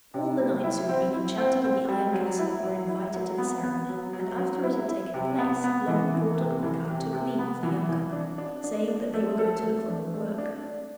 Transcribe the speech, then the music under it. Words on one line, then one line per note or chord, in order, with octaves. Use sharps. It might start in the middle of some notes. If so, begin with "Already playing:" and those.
All the knights who had been enchanted in the Iron Castle were invited to the ceremony, and after it had taken place, Long, Broad, and Quickeye took leave of the young couple, saying that they were going to look for more work.
C3
G3
E4
C4
E4
C4
C4
G3
F#3
E4
F#3
E4
F#3
B3
B3
F#3
F#3
F#3
E4
E4
C3
B3
B3
E3
E3
C3
E3
C3
C3
B3
E3
E3
D4
D4
D4
D4
A3
A4
A3
D4
A3
D4
D4